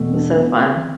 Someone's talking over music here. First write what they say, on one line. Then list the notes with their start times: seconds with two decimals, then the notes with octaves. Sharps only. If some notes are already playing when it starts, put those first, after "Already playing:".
was so fun.
Already playing: E2 B2 A3
0.09 C4
0.16 D4
0.37 B3
0.59 C4